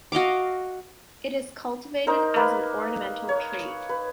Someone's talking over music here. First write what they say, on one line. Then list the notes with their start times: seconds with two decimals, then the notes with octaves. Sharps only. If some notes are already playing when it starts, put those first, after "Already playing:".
It is cultivated as an ornamental tree.
0.12 F#4 D#5 F5 D6
2.07 D#4 A#4 C5
2.36 A#3 B4
3.29 C#5
3.89 B4